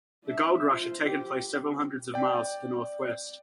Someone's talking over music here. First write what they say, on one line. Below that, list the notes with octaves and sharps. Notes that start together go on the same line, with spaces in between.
The gold rush had taken place several hundreds of miles to the northwest.
D4 E5
F4 C5
G4
D5 G5